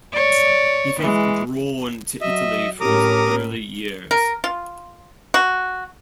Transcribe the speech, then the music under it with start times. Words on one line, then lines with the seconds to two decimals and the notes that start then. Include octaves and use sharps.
He felt drawn to Italy from his early years.
0.12 C#5 D5
0.99 E3 G#3
2.21 F#3 D#5 E5
2.81 A2 C#4 G4 A#4 A#5 D6 D#6
4.11 A#4
4.44 F4
5.34 F#4